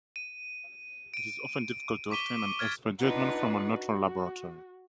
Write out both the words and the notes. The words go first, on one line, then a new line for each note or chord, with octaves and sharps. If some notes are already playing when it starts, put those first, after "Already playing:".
It is often difficult to obtain an expert judgement from a neutral laboratory.
D#7
D7 D#7
C#6 D6 B6 D#7 G7
F6 G#6 A6 D7
D4 D#4 F4 B4 F#5
F#4